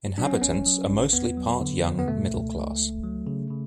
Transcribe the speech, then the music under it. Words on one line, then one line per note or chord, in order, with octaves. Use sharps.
Inhabitants are mostly part young middle class.
F#3 D4
C#4
B3
A1 C#4
F#3
A1
E2 B3
F#3
D3
E2
B3
B2 A3
C#2
C#2
C#2
F#3
C#3
C#3